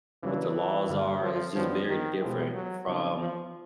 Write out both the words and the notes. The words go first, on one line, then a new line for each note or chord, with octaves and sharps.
what the laws are. It's just very different from,
C#3 E3 F#3 A#3 D4
G2 D3 G3 A#3
F3
F#2 D#3 F3 F#3 B3 D4
D#3
B2 F3 G#3 B3 E4 G4
F#3
C#3 F3 F#3 B3 D#4
F3